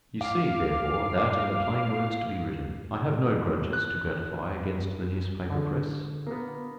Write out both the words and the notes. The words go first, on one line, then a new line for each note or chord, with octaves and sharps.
You see, therefore, that, in the plain words to be written, I have no grudges to gratify against the newspaper press.
F5 D6
F#6
D3
A#3 B3